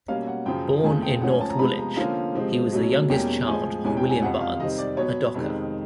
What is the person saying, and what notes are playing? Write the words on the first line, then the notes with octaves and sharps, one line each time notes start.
Born in North Woolwich, he was the youngest child of William Barnes, a docker.
B2 G3 A#3 C#4 F5
F#5
F#2 C#3 F3 G5
E2 C#3 F3 A3 C4 G#5
G5
G#2 F3 A3 C#4 F#5
G#5
A5
A#5
C3 F3 G#3 B3 B5
A#5
D3 F3 A#3 C#4 F5
C3 F3 G#3 C4
B2 F#3 A3 C#4
E2 B2 G3 A#3 C#4 G5
A2 F3 G#3 G#5
E2 C3 E3 G#3 C#4 G#5
G5
G#5
F2 C3 F3 F#5
F5
C3 D#3 G3 C4 D#5
D5
B2 F#3 B3 C#5
F2 C3 D#3 G#3 C4